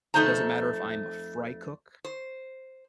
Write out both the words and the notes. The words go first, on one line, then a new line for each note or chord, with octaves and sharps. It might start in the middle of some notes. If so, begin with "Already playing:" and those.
it doesn't matter if I'm a fry cook
F2 A3 A#3 D#4 C5 A#5
C5